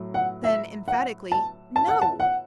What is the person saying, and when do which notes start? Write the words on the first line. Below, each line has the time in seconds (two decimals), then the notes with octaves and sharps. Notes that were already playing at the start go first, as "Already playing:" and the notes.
Then, emphatically, "No!"
Already playing: A2 F#3
0.14 F#5
0.44 E5
0.88 F#5
1.32 A5
1.76 A5
1.88 F#5
2.02 A5
2.20 F#5